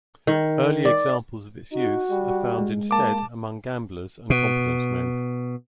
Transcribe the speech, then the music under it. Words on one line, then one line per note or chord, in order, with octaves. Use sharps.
Early examples of its use are found instead among gamblers and confidence men.
D#3
D5
D#4 F#4
G3
G#3
A#3 A5 D6
B2